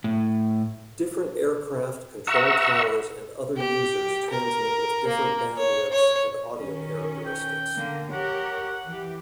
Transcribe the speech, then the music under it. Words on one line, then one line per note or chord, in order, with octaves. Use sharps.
Different aircraft, control towers and other users transmit with different bandwidths and audio characteristics.
A2
E5 F#5 A#5 C#6 E6
G4
A#4
A#3
C#5
C#5
D#3 C#4
G5
D3 A#3
G4 A#4 C#5 F#5
E3 G4